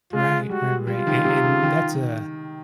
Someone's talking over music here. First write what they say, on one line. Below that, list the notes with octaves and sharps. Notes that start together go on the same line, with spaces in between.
Right, ri right an and that's a
G#3 F4
G3 F#4
G3 F4
D#3
C3
C#3
D#3